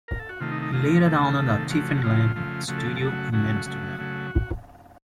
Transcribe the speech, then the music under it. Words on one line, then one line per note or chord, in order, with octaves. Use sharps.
He later owned a Tiffany lamp studio in Amsterdam.
A#4
A4
F#4
C3 D#3 A3 F4
D#4
D#4
C3 D#3 A3 F4
C3 D#3 A3 A4
C3 D#3 A3
C#3 F3 A3 F#4
F#4
C#3 F3 A3 F4
C#3 F3 A3
C#3 F3 A3 F#4
A4
F#4
C#3 F#3 A3 A4
F#4
C#3 F#3 A3 F#4
C#3 F#3 A3
C#3 F#3 A3